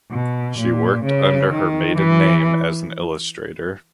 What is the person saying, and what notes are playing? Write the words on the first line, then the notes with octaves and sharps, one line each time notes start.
She worked under her maiden name as an illustrator.
B2
A#2
C#3
D#3
E3